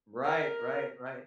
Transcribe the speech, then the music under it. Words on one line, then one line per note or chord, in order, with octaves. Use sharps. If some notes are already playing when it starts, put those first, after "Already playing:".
Right, right, right.
A#4